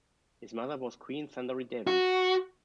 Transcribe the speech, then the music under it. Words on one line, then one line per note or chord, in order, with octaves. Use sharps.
His mother was queen Sundari-Devi.
F#4